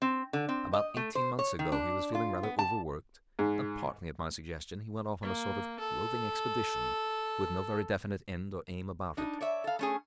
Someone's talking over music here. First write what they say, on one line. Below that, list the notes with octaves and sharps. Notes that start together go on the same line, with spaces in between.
About eighteen months ago he was feeling rather overworked, and partly at my suggestion he went off on a sort of roving expedition, with no very definite end or aim about it.
C4
D3
C4
D#5
A3
C5
C#5
D#3
D4
F4
B3
A5
G#2
A#3
A4
D4 D#4
C#5 D5 E5
A4 F5
A3 C#4 G#4